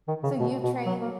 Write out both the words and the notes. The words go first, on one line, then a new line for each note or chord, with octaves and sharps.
So, you train
D#3
C#3
B2
B2
F#3
A#3